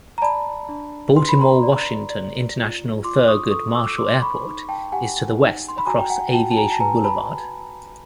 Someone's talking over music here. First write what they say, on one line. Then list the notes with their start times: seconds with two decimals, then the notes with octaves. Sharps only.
Baltimore-Washington International Thurgood Marshall Airport is to the west across Aviation Boulevard.
0.18 A#5
0.22 D5 A5 B5
0.69 D4
1.16 B4 C6
1.29 B5
1.41 A#5 C6
1.63 D5
2.10 D5
2.57 F4
3.04 F4 C6 D6
3.28 C#6 D#6
3.51 A4 C#6 D#6
3.75 D6 E6
3.98 C5 C6 D6
4.14 C6
4.22 B5 C#6
4.46 D#4
4.69 G5 A5
4.92 G4 F#5 G#5
5.39 D#4
5.69 C6
5.78 B5
5.87 F#4 G#5 A#5
5.98 G5
6.10 F#5 G#5
6.33 F#4 G5 A5
6.51 A5
6.57 G#5 A#5
6.71 A5
6.80 B4 G#5 A#5
7.04 A5 B5